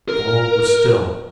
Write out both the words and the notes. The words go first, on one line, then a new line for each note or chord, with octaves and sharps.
All was still.
A#4